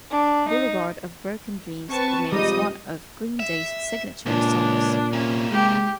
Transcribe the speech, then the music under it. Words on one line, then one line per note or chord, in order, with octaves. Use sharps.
"Boulevard of Broken Dreams" remains one of Green Day's signature songs.
D4
D#4
C4 B4 A5 C#6
C3 F3 G3 G#3 D#4 D#5 D#6
E5
C#2 A#2 D4
C3 A#3 C#4
G#3 G4